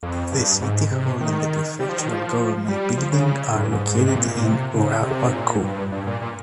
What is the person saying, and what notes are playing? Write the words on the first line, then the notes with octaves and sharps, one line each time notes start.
The city hall and the prefectural government building are located in Urawa-ku.
F2
G2
G#2
C3
D#3
G3
F3
D#3
F3
G3
F3
C#3
G2
G#2
G#2
C3
A#2
A#2
C3
C#3
C3
G#2
A#2
G2
G2
A#2
A#2